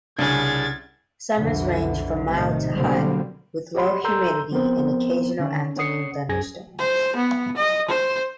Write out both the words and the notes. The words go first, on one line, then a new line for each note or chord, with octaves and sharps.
Summers range from mild to hot, with low humidity and occasional afternoon thunderstorms.
C2 C#3 D4 G#4 G#6 A6
B1 F2 D3 E3
A2 C3 D#3
B2 D3 F#3 G3 A#3 C4
G4 C#5 D#5 F#5 B5 C6
A4 A#4 A#5 C6 E6 G6
F3 B3 C4 A#4 C5
D3 D#3 C#4 C#5
C#4 C#5 F#5 D#6 C7 C#7
B1 F#2 G#4 G#5 G#6 A#6
C5
B3
D#5
C5